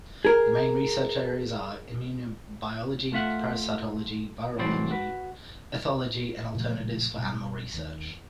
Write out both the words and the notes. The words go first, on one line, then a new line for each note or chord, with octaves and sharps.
The main research areas are Immunobiology, Parasitology, Virology, Ethology and Alternatives for Animal Research.
G#4 A#4
A3 F4 E5 F#5
C2 A2 E3 F#3 C5 D5
F#4 B4
A#2 C#3 F3 A3
B2 G3
D#2 D#3